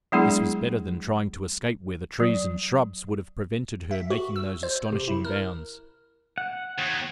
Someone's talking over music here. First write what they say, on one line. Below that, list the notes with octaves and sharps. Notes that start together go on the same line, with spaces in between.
This was better than trying to escape where the trees and shrubs would have prevented her making those astonishing bounds.
F#3 G#3 B3 D4 E4 G#4
F#3
E5
F#4
E6
C5
C3
E4
A#4
F#5
D#2